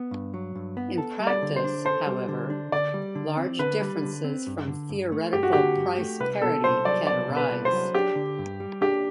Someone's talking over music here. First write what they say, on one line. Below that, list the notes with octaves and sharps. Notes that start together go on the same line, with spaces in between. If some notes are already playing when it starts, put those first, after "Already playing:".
In practice, however, large differences from theoretical price parity can arise.
Already playing: B3
G2
F#3
G2
B3
A4
G3
D5
D3
C5
D4
A4 C5
G3
D3
D4
D3 D5
G3
D3
C4
D3 B4
G3
D3
C4
G2
D3
G2
A3
G2 G4
F#4
D3 G4
G2
A3
C2 B4
B2 A4
C2 C5
F#3 D5
C2 D5
B2
B4
C2
C5
F#3
D4 G4
D3
G2
G3
D4 G4